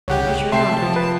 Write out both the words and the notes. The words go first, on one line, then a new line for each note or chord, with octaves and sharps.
Fisher nodded.
C2 C#3 G4 C#5 F#5 G5
C3 E5 G5 A5 C6 C7
F3
B4